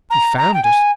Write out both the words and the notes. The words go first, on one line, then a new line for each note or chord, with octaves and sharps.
He found it.
A#5
A#5
G5
G#5